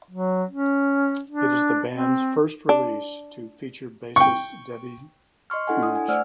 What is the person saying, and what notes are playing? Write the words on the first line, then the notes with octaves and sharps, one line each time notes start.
It is the band's first release to feature bassist Debbie Googe.
F#3
C#4
D4
C4
D4
G5 C#6
D#5 C6 C#6 F6
D4 E4 A4 F#5 G#5
D#6
G#5
A3 C5 D5 F#5 E6 F6